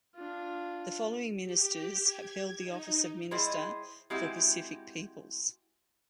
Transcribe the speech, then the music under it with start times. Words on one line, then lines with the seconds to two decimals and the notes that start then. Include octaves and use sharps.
The following ministers have held the office of Minister for Pacific Peoples.
0.16 D4 F4
1.43 G4
2.00 G#6
2.59 D#4
3.31 G3 E4 G#4 C5 C#5 D#5
4.10 G#3 C4 E4 F#4 G4